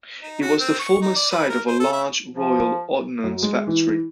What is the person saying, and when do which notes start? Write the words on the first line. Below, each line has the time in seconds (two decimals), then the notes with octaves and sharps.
It was the former site of a large Royal Ordnance Factory.
0.23 D#4
0.42 F#4
0.59 C4
0.79 C#6
1.02 D#4
1.16 D5
1.31 B4
1.49 A#4
1.68 C5
1.80 A4
1.92 E5
2.35 F3
3.24 F#2
3.43 G#3
3.67 E3